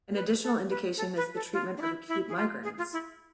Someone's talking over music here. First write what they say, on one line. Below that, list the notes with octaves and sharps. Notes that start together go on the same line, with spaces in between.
An additional indication is the treatment of acute migraines.
B4
A4
B4
A4
B4
A4
F4
D4
E4
E4
G#4
F4
G#4
F4
E4